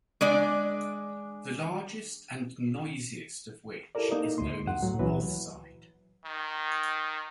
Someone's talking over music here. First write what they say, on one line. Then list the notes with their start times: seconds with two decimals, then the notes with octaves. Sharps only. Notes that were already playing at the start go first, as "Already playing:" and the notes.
The largest and noisiest of which is known as North Side.
0.21 G#3 D4 D5
3.95 E4 G4 A4 A#4 D5
4.11 A#3 D#4 D#5
4.38 D2 C6
4.67 F#2 F#5
4.82 A2 F#3
4.99 C#2 A#2 E3 F#3 F#4 B4
6.25 D#3